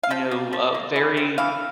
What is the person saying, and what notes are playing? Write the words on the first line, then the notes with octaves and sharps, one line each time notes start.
you know, uh, very
F5
F3 G5
A#3
F3
A#3
E3
G3 C4
E3 F5